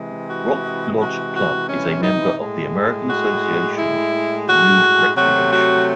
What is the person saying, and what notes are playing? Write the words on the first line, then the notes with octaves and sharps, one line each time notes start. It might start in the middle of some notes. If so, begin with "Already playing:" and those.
Rock Lodge Club is a member of the American Association for Nude Recreation.
Already playing: C3 E3 G#3
F#4
F#4
F#4
C#4
D#4
A2 G#3
F#4
E4
F#4
C3 F#3 A3 F#4
F#4